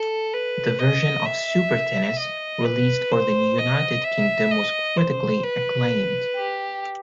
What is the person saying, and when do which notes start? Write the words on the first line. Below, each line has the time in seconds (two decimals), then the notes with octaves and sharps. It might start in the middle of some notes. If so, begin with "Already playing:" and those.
The version of "Super Tennis" released for the United Kingdom was critically acclaimed.
Already playing: A4
0.33 B4
0.79 D#5
1.25 E5
2.19 D#5
2.65 B4
3.12 C5
3.58 D#5
4.04 E5
4.51 D#5
4.97 C5
5.44 B4
6.36 G4